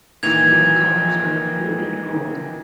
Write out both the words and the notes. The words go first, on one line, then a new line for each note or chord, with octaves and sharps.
School colors are blue and gold.
A#2 D#3 E3 G#6 F7